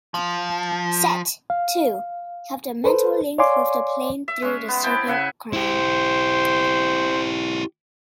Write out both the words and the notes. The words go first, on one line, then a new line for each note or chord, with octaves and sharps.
Set, too, kept a mental link with the plane through the Serpent Crown.
F3
F5
A4 B4 C5
C#5 D5 F5 G#5 C6 D6
E5
G#3 C#4
B3
C4 E4 G5 A5
C#3 E5 F#5 G#5
E4 G4 C5